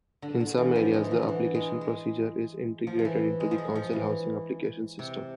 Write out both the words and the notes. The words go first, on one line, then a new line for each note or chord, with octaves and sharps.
In some areas the application procedure is integrated into the council housing application system.
D3
D3
E3
F3
G#3
E3
D3
D3
E3
G#3
G#3
F3
F3
E3
G#3
F3
G#3
F3
E3
C3